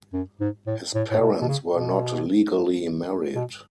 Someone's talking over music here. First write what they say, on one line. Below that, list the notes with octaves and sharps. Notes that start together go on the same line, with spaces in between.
His parents were not legally married.
F#2
G#2
A2
A2
A2
B2
B2
C#3
B2
B2